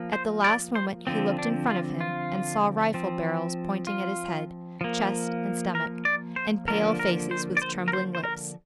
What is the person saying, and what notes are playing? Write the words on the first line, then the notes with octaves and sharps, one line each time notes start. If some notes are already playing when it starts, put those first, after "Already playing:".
At the last moment he looked in front of him and saw rifle barrels pointing at his head, chest and stomach, and pale faces with trembling lips.
Already playing: F3 A#3
C5
D5
C5
D3 F3 C4
D4
F4
F4
F3 C4
F4
F3 A#3
A#4
D5
C5
D3 F3 A#3 A#4
A#4
C5
D5
C5
A#4
C5
C5
A#4